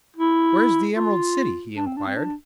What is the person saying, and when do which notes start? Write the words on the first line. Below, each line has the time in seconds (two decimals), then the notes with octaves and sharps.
"Where is the Emerald City?" he inquired.
0.17 E4
0.97 F4
1.77 D4
1.86 C4
1.97 D4
2.07 C4
2.16 D4